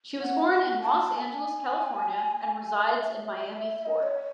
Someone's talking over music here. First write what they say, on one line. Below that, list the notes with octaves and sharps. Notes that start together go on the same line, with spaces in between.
She was born in Los Angeles, California, and resides in Miami, Florida.
F#5
F#5
A5
A5
G#5
E5
E5
E5
D#5
C#5